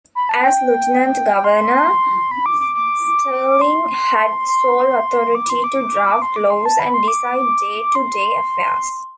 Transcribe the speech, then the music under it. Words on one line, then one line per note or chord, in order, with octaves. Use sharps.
As Lieutenant Governor, Stirling had sole authority to draft laws and decide day-to-day affairs.
B5
A5
G5
C6
B5
D6
D6
D6
C6
C6
D6
C6
D6
C6
D6
C6
A5
B5
C6
D6
C6